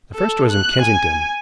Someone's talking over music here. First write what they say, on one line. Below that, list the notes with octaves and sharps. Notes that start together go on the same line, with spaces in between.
The first was in Kensington.
A4
F#6
G#5